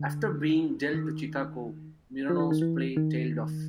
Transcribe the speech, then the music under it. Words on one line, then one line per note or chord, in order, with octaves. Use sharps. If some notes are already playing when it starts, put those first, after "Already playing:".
After being dealt to Chicago, Mironov's play tailed off.
Already playing: D3
D#3
F3
E3
D#3
E3
D#3